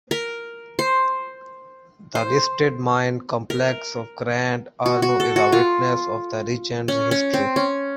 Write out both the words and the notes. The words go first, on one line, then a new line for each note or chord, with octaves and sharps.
The listed mine complex of Grand Hornu is a witness of the region's history.
A#4
C5
C5
A#4
F#4
F#4
A4
F#4
F4
C#4
C#4
C4
C#4